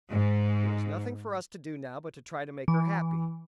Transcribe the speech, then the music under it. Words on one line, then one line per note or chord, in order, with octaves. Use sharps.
There is nothing for us to do now but to try to make her happy.
G#2
E3